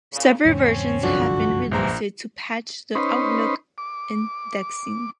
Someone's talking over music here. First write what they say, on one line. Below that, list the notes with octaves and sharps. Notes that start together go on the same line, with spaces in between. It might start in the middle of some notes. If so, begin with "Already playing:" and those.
Several versions have been released to patch the Outlook indexing.
A#2 C#3
E2 G#2 C#3 C4 C#4 C#5
G1 C2 F#2 D3 F3 D4 F#4
A#1 B2 E3 F3 C5 A#5
C#4 D#4 B4 C5
D6